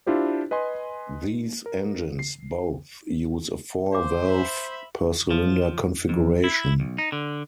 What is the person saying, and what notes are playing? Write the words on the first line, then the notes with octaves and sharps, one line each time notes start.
These engines both use a four-valve per cylinder configuration.
D4 E4 F4 G4 C5
B4 D#5 G#5 C6
A#4
C7
C5 F5 D6
E5 B5
F3
F2
E4
B1
D#4
D3